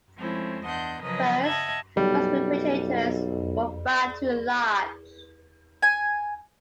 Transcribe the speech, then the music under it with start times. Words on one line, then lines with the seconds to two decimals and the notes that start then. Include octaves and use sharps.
First, most refrigerators were far too large.
0.16 F3 G#3 A3 C4 C#4 E4
0.63 E2 D4 D#5 F#5 C6 G6
1.02 C#3 F3 F#3 A#4 B4 D#5
1.43 D#5 E5 F#5 A5 G#6
1.97 B1 G3
5.83 G#5